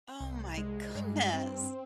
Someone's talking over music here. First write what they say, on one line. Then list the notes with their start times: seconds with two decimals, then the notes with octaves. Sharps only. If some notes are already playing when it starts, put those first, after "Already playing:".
Oh my goodness.
0.20 C2
0.58 G#3
0.95 G2
1.33 C4